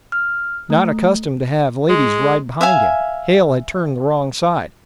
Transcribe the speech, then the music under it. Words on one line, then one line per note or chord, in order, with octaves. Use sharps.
Not accustomed to have ladies ride behind him, Hale had turned the wrong side.
F6
A3
G#3
E5 F5 G#5